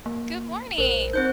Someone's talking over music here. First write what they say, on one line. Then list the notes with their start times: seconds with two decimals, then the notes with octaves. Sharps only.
Good morning.
0.06 A#3
0.78 A#1 A#4 C5
1.13 C4 D#4 C5 G6